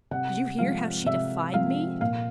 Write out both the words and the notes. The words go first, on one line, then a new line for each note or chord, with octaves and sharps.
Did you hear how she defied me?
C3 F#5
F3 G#3 C4 F5
C3 E5
F3 G#3 C4 F5
A#2 F5